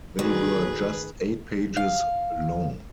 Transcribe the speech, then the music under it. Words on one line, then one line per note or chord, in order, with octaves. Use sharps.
They were just eight pages long.
D2 D#3 G#4 B4
F5